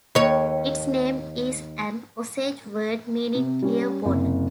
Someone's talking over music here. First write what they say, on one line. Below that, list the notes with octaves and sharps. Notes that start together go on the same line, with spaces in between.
Its name is an Osage word meaning clear water.
D#2 C#5
C3
G3 C#4
F#1 C3